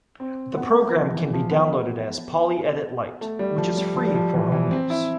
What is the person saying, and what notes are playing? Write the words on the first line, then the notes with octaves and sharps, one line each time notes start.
The program can be downloaded as PolyEdit Lite, which is free for home use.
C4
B3
F3
E3
F3
B3
A3
G3
F3
G3
F3
G3
F3
E3
E3
C4
E4